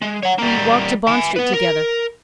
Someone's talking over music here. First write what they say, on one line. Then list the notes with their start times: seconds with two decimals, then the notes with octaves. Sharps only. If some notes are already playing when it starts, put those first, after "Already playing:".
We walked to Bond Street together.
0.02 G#3
0.23 C#5 F#5
0.39 G3 A#3
1.07 E5 G#5
1.36 B3 B4
1.53 A#4